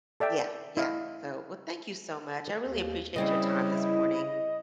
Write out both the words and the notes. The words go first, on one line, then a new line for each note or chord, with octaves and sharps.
Yeah, yeah. So, well, thank you so much, I really appreciate your time this morning.
A4 D5 E5 G5
E4 D#5 F5
D#2
C#3 G3 C4 C#4 E4 D#5